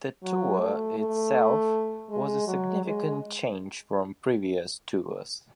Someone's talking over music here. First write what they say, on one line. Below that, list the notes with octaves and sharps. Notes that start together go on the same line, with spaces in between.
The tour itself was a significant change from previous tours.
F#3
A3
A3
G#3
F#3
G#3